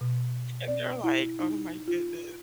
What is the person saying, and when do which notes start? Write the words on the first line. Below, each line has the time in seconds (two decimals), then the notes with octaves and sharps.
And they're like, "Oh my goodness,"
0.01 B2
0.68 D5
1.04 E4
1.40 D#4
1.88 F4